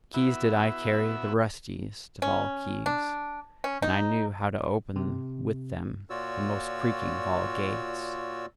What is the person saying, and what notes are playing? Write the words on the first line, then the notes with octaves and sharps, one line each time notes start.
Keys did I carry, the rustiest of all keys; and I knew how to open with them the most creaking of all gates.
B3 E4 F#4 E5 B5
C#4
D4
C#4
D#4
C3
A#2 F4 F#4 C#5 D5 E6